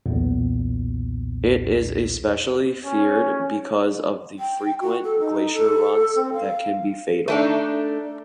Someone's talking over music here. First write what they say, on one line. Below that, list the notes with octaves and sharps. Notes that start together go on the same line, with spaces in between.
It is especially feared because of the frequent glacier runs that can be fatal.
B1 E2 A#2
C#4
G5
F#4
A4
D#4
A4
C4
F5
A3 D4 D#4